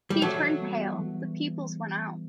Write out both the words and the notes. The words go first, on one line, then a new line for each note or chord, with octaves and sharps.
He turned pale, the pupils went out.
G3
E3 F#3 A3
G3 B3
E3